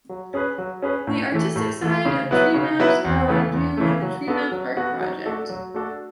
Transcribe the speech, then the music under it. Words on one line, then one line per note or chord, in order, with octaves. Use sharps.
The artistic side of treemaps are on view in the Treemap Art Project.
F#3
C#4 G#4 B4
F#3
C#4 G#4 B4
A2
E3 A3
A2
E3 A3
C#3
F#3 B3 E4 B4
C#3
F#3 B3 E4 B4
E2
C#3 E3 A3
E2
C#3 E3 A3
F#3
B3 F#4 A4
F#3
B3 F#4 A4
F#3
A3 D4 F#4 A4
F#3
A3 D4 F#4 A4